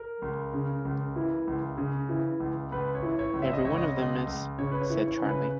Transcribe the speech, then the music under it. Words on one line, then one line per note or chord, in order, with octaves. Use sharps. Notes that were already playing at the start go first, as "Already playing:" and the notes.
"Every one of them, miss," said Charley.
Already playing: A#4
C#2
C#3
C#2
E3
C#2
C#3
E3
C#2
C#2 B4
C#5
E3
C#5
C#2
E5
D#5
C#2 C#5
D#5
C#2
C#2
C#3 C#5
B4
C#5
E3
C#5
C#3
B4